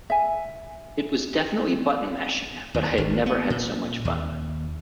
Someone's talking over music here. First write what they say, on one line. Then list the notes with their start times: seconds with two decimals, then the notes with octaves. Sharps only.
It was definitely button mashing, but I had never had so much fun.
0.10 E5 G#5
2.74 D#2
2.98 G#1
3.26 B3
3.50 A#2
4.05 D#2